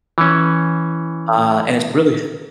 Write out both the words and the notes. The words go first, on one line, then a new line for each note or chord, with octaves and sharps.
uh, and it's really
E3 C#4